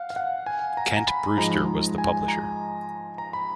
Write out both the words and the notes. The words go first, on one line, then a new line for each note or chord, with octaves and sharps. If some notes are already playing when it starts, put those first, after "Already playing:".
Kent Brewster was the publisher.
Already playing: F5 F#5
F5
F#5
G#5
A#5
A#5
B5
G#2 F3 G#3 A#5
G#5
A#5
A#5
B5